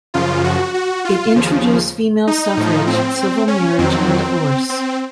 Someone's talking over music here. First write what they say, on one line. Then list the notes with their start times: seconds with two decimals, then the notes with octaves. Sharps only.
It introduced female suffrage, civil marriage and divorce.
0.14 F#2 C#3 F3 F4
0.44 F#4
0.74 F#4
1.05 F4
1.36 D#2 C#3 F3
2.27 D#4
2.57 A2 F3
2.87 C4
3.48 C#4
3.78 F2 D#3 F#3 C4
4.69 C4